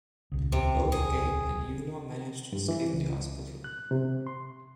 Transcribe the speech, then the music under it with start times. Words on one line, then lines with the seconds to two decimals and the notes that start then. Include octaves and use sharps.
Both Gabe and Yulaw manage to escape the hospital.
0.32 D#1 C#2
0.52 C3
0.92 G#4
2.52 G2
2.68 E3
2.93 C#2
3.64 F#6
3.91 C3
4.27 C6